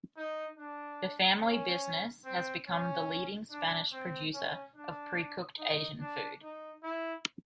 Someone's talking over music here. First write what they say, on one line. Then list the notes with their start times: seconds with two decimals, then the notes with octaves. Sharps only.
The family business has become the leading Spanish producer of precooked Asian food.
0.17 D#4
0.58 D4
1.42 C#4
2.25 C4
2.67 C#4
3.51 D4
3.92 C4
4.34 C#4
4.75 D4
5.58 D#4
6.00 D4
6.42 D#4
6.83 E4